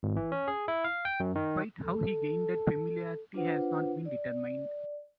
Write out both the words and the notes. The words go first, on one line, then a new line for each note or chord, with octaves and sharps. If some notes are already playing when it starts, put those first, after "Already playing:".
Quite how he gained that familiarity has not been determined.
G#1
E3
C#4
G#4
E4
F5
G5
F#2
D#3
A4
D4 F4 B4 C5 F#5
D5